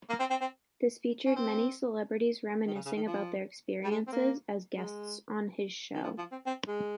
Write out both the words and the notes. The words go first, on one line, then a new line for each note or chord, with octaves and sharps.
This featured many celebrities reminiscing about their experiences as guests on his show.
A#3
C4
C4
C4
C#4
C4
D#3
C#3
C#3
D#3
F3
G3
G#3
C4
A#3
G#3
D#3
F3
F3
C4
C4
G#3